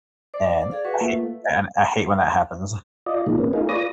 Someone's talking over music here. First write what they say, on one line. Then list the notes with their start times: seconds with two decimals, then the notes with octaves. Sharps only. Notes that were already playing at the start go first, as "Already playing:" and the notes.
And I hate and I hate when that happens.
0.34 C5 D5
0.71 G#4 A4 F5
0.85 F#4 B4
1.01 A3 A#3 F4
3.06 F4 D5 D#5
3.26 A#2 D#3 F3 G#3
3.38 A#3 B3 C#4
3.53 A3 D#4 F4 G#4 A#4
3.69 F4 B4 C#5 D5 D#6 A#6